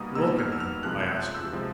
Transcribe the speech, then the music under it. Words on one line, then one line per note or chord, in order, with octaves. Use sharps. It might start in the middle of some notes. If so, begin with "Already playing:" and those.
Look at him, I ask you!
Already playing: B2 G3 A#3 D#4 D#6
B2 G3 A#3 D#4 E6
F6
E6
F6
F2 C3 F3 G#3 F#6
G6
F#6
E6
C3 F3 G#3